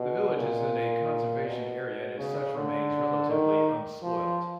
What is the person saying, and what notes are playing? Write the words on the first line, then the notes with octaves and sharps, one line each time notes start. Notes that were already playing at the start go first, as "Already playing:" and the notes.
The village is in a Conservation Area and as such remains relatively unspoilt.
Already playing: B2
A#2
B2
C#3
D3
D#3
F3